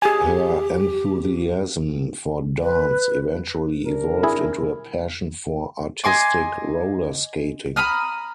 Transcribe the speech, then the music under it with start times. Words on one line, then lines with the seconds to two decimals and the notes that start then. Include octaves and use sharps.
Her enthusiasm for dance eventually evolved into a passion for artistic roller skating.
0.02 G4 G#4 G#5
2.62 B4
3.85 C3 D4 A#4
4.23 E4 G#4
6.04 D#5 G#5 C6 D6
7.76 A#5 B5 D#6 F6